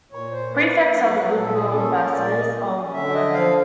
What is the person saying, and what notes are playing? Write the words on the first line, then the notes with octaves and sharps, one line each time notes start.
Prefects are the good-will ambassadors of Woburn.
A#2 C#5
C5
A#3 B4
F#3
A#2 A4
G#4
C#4 A4
A#4
A#2 D5
D#5
C#4
D3 E5
D#5
F3 F5